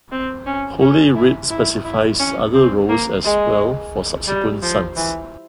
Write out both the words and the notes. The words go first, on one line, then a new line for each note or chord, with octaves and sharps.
Holy Writ specifies other roles as well for subsequent sons.
C4
C#4
C#4
E4
E4
E4
C#4
C4
A#3
G#3
G3
F3
E3